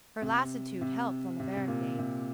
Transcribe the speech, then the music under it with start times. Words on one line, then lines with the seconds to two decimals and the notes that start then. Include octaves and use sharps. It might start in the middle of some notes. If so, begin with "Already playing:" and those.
Her lassitude helped on the barricade.
0.22 C3
0.81 C3
1.40 C3
1.56 C3
1.68 A#2
1.98 C3